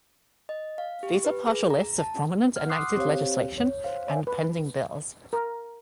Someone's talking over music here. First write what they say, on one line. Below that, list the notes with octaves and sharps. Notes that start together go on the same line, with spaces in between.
These are partial lists of prominent enacted legislation and pending bills.
D#5
F5
G4
B4
G#4
A#5
A5
F#5 F6
C6 D6 D#6 F#6 C7
C4 G4 C5 C#5 F5
C#5
C5 F5
C#5 D5 E5 F#5 G#5
B4
A#4